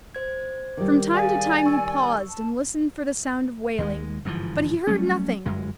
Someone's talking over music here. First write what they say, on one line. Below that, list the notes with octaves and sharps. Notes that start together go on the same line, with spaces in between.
From time to time he paused and listened for the sound of wailing, but he heard nothing.
C5 G#6
D#3 G3 D6
G#4 D5 F5 G#5 D#6
C#6 E6
A5
D#2 G3 G#3
G1 G#2 E3 F3
F#3 G3 A3 C#4
G1 F#2 G#3